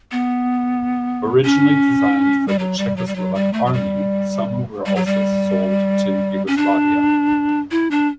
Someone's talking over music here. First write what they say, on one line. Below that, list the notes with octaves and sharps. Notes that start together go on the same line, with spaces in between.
Originally designed for the Czechoslovak Army, some were also sold to Yugoslavia.
B3
C#4
G3
F#3
G3
F#3
G3
F#3
G3
A3
F#3
G3
G3
F#3
G3
C#4
D4
E4
D4